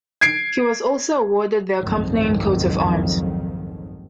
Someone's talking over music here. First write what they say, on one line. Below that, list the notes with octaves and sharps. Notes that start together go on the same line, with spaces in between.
He was also awarded the accompanying coat of arms.
G#6 C7 D7
F#1 C2 F2 G#2 D#3 F#3